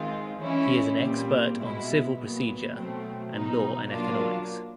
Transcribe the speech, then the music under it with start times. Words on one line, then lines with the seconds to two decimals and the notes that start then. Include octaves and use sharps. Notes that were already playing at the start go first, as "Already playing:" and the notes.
He is an expert on civil procedure and law and economics.
Already playing: D#3 G#3 C4 F4
0.40 E3 G#3 C#4 E4
0.98 A#2 G3 C4
1.56 B2 G#3 B3 E4
2.15 A#2 F#3 B3
2.74 B2 F#3 A3 C4
3.32 B2 F#3 B3 D#4
3.89 F#3 A#3 D4 F4